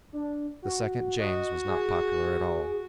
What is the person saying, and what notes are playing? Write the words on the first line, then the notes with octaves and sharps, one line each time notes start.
The second James was not popular at all.
D4
F#4
F#4 D#5
G#4